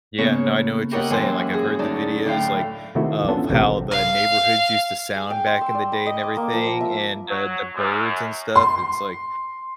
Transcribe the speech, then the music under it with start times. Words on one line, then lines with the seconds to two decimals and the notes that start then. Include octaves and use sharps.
Yeah, no, I know what you're saying. Like, I've heard the videos, like, of how the neighborhoods used to sound back in the day and everything and, uh, the birds and stuff, it's like
0.18 C#3 A#3 B3 C#5
0.92 E4 G4 A#4 C#5 D#5 F#5
1.10 F#2 E3 F#3 G4 G#5 C6
1.51 F#4 G#4
1.79 D2 F#3 D#4 D5 A5
2.25 D2 A2 F#3 F5 G5
2.95 C3 D#3 A3 E4 F#4
3.28 B3 C#4 D4 F4 A4
3.51 A1 C3 A3 A#4 F#5 G5
3.91 F5
5.16 G#4
5.31 G5
5.47 C6
5.61 E6
5.75 D5
5.92 B5
6.06 D#5
6.23 D6
6.37 A#3
6.53 F3
6.67 A#5
6.81 E5
7.28 F#3
7.75 F#2
8.56 C6